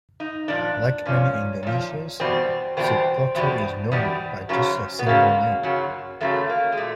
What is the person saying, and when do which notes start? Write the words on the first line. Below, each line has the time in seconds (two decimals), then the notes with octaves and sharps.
Like many Indonesians, Subroto is known by just a single name.
0.20 D#4
0.48 A#2 F3 D4
1.05 A#2 F3 C#4
1.63 A#2 F3
2.20 E2 B2 G3 C4
2.77 E2 B2 G3 C4
3.35 E2 B2 G3
3.92 E2 B2 G3
4.49 F#2 C#3 F#3
4.99 B3
5.06 F#2 C#3 F#3 A#3
5.63 F#2 C#3 F#3
6.20 F#2 C#3 F#3 A3
6.49 A#3
6.72 G#3
6.77 A#2 A3